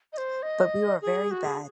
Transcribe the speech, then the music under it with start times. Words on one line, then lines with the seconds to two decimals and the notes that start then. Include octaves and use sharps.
But we were very bad.
0.13 D#5
0.18 C5
0.43 D#5
1.02 G#4
1.31 F#4
1.44 G#4